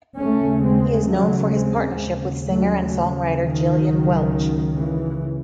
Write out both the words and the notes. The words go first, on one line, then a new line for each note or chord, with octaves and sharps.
He is known for his partnership with singer and songwriter Gillian Welch.
D#2 C#3 A3 C#4
G#3 C4
F#3 A3
G#3 C4
D#2 C#3
F#3 A3
D#3 F#3
C#2 C#3
C#3 E3